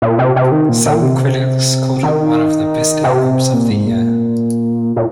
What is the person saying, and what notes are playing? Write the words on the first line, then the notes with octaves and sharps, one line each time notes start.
Some critics called it one of the best albums of the year.
A#2
C3
C3
D#3
A#2
A#2
C3
D#3
C3
A#2
G#2
A#2
A#2